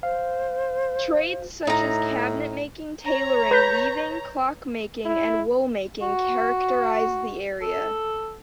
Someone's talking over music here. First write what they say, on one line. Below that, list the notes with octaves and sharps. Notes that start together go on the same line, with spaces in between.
Trades such as cabinet-making, tailoring, weaving, clock-making, and wool-making characterized the area.
C5 F5
A2 D#4 A#5
C#5 A#5
B4 G6 B6
E4
F#4
A4